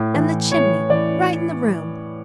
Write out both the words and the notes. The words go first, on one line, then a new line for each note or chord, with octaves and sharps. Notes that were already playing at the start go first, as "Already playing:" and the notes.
And the chimney right in the room!
Already playing: A2
E3
A2 C#5
E3 D5